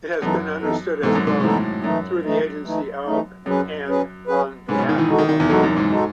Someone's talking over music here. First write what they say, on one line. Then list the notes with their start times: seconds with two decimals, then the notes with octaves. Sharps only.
It has been understood as both "through the agency of" and "on behalf of".
0.22 F#2 E3 B3 D#4 A4
0.62 E3 B3 D#4 A4
1.02 G#2 E3 B3 D#4 A4
1.15 F#2
1.27 G#2
1.40 G#2
1.44 A2 E3 B3 D#4 A4
1.84 F#2 E3 A3 D#4
2.25 E3 A3 D#4
2.66 E3 A3 D#4
3.07 E3 A3 D#4
3.46 F#2 F#3 C#4 G#4 B4
3.88 F#3 C#4 G#4 B4
4.27 F#3 C#4 G#4 B4
4.69 G#2 F#3 C#4 G#4 B4
4.78 B2
4.89 D#3
4.98 E3
5.09 G#3 D#4 F#4 A4
5.18 D#3
5.29 D#3
5.40 E2
5.49 F#2 G#3 D#4 F#4 A4
5.63 F#2
5.76 G#2
5.90 G#3 D#4 F#4 A4